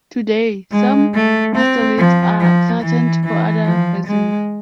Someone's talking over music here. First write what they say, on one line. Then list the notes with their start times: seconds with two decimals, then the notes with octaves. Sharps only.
Today, some mustelids are threatened for other reasons.
0.72 G#3
1.14 A3
1.56 C4
1.98 F3
2.40 F3
2.81 E3
3.24 E3
3.65 F3
4.07 G#3